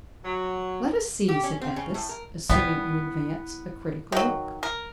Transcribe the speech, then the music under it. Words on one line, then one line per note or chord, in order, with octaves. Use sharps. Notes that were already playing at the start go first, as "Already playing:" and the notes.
"Let us see," said Athos, assuming in advance a critical look.
F#3
G4
C#4
C4
C#3
A2
A#4
G3 B3 E4
D#3 F#3
A#4